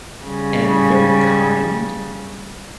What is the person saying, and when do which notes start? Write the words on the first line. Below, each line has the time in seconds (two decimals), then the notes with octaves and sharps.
and very kind,
0.25 C#3 G3